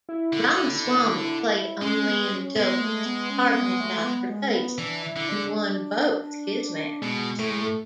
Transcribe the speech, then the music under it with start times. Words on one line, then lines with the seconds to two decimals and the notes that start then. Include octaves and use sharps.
Ramaswami played only in the doubles partnering Doctor Fayzee and won both his matches.
0.09 E4
0.33 D3
1.81 G#3 C#4
1.97 C#4
2.06 B3
2.31 C#4
2.56 G#3 B3
2.81 A3
3.05 B3
3.30 C#4
3.55 B3
3.80 A3
4.04 B3
4.30 G#3
4.54 B3
4.78 E3 D4
5.03 E4
5.16 D3
5.29 D4
7.02 B2 G#3
7.39 A2 A3
7.50 G#3
7.61 A3